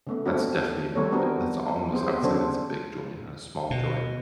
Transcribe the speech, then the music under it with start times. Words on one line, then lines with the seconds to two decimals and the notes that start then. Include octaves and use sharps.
that's definitely b that's almost I would say that's a big joy, not a small joy.
0.07 C#3 A3 B3
0.26 A3 C4 D4 F#4
0.95 D#3 G3 A3 B3 A4 C#5
1.12 B3 C4 D4 F#4 A#4
1.93 B3 C4 G4 G#4 C5
2.22 C#3 F#3 D4 A4 C5
3.71 B2